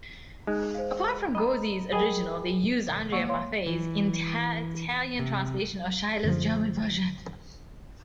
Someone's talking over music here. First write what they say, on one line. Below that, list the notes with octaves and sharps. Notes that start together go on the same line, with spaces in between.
Apart from Gozzi's original they used Andrea Maffei's Italian translation of Schiller's German version.
G#3 D#4 F#6
C5 F5
D#5 A#5 B5
G#4 A#4 D#5 G5 G#5 B5
F#2 B2 D#3 F3
G#3 A#3 D5 F#5 C#6 E6
C#5 F5 C6
E3
C3
F#2 D3 F3